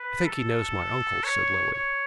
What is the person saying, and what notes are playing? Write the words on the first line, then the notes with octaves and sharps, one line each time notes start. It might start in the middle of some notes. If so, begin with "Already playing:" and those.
"I think he knows my uncle," said Lily.
Already playing: B4
A4
C#5
C#5